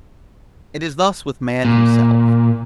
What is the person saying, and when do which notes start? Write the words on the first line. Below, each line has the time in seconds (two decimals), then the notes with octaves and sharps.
It is thus with man himself.
1.65 A#2